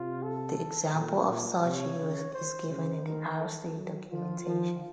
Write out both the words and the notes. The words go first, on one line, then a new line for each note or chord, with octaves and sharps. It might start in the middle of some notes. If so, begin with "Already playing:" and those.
The example of such use is given in the rc documentation.
Already playing: C3 F4
A4
A#2
A#2
C3 C#5
C#3
C5
C#3 C5
D#3 A#4
A4
F#3
F3 F4
F3